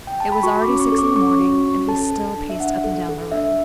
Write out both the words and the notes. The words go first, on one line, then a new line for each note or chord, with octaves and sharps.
It was already six in the morning and he still paced up and down the room.
G5
A5
B5
F#4 C#6
D6
C#4
C#6
A4
D6
C#4 C#6
F#4
C#4
A4 A5
A4
D4
E5
D4 F#5
A4
A4
D4 E5